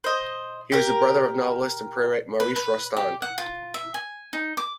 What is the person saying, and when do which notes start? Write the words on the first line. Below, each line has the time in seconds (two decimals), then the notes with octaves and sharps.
He was the brother of novelist and playwright Maurice Rostand.
0.04 C5 D#5
0.72 G4 A#4
2.40 B4
2.56 B4
2.97 G4
3.22 F#5
3.38 F4
3.74 E5
3.94 G#5
4.33 D#4
4.57 D6